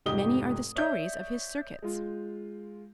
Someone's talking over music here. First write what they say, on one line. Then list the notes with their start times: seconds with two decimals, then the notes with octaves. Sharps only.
Many are the stories of his circuits.
0.06 F1 G#2 G4 D#5 D#6 G7
0.76 C#5 D5 E5 G6
1.82 G#3 F4